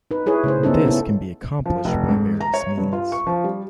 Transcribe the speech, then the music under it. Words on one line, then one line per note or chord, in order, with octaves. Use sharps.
This can be accomplished by various means.
D#4 B4
E4 G#4 B4 C#5
C#3 A3 C5
A#3 B3 C#4 D#4 A4
B3 C#4 E4 A4
F3
F1
G#2
A#5
C#5
G2
F4
C#6
F3
G3